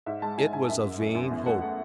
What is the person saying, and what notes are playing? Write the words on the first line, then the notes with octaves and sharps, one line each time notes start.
It was a vain hope.
G#2 E5
G#3 A5
G#2 G#5
G#2 G#5
F#2 E5
F#2
F#2
F#2
E2 E5
A3 F#5
A3 F#5